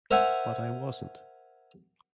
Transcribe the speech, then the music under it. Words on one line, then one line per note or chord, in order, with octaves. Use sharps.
But I wasn't.
A#4 C5 E5 F#5 G#5